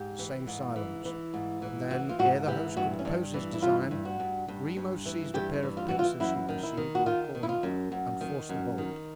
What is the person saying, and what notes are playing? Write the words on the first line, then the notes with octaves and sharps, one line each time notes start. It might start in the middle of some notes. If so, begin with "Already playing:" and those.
The same silence, and then, ere the host could oppose his design, Grimaud seized a pair of pincers he perceived in a corner and forced the bolt.
Already playing: G#2 G4
E3
G#2
E3
E3
G#2
E3
E3 F#4
F4
G#2 F#4
E3 G4
G2 F#4
C#4
G2 D4
E3
E4
G2 F4
G2
F#4
G2
G2
G2
E3
G2 G4
E3
F4
E3 F#4
F4
F#2 E4
D#3
E4
D#3
F#4
D#3 F4
D#3
E4
F4
F#2
F#2
D#3
F#2
D#3